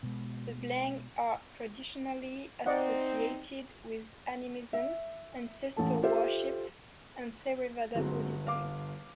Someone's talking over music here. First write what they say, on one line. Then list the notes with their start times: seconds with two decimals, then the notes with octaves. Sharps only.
The Blang are traditionally associated with animism, ancestor worship, and Theravada Buddhism.
0.03 B2 G#3
2.66 C4 D#4 D5 D#5 F#5
4.73 E5
5.77 A1 A2 A4 A5
6.02 F4 G4 A4 C5 E5
7.95 G1 G#2 F#3 C4
8.47 F5 D6